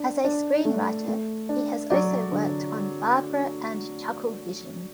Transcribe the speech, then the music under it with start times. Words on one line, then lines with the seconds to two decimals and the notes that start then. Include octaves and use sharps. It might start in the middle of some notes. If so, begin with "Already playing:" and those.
As a screenwriter, he has also worked on "Barbara" and "ChuckleVision".
Already playing: D4
0.24 D4
0.65 A3
1.08 A3
1.49 D4
1.90 F#3 D5
2.32 D3